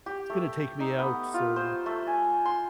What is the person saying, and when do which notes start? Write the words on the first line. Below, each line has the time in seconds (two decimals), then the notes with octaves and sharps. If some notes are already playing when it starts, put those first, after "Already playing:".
it's gonna take me out so
0.06 G4
0.30 A3
0.80 D#4
0.99 B3
1.34 F4
1.56 C5
1.86 A3
2.07 G#5
2.45 C6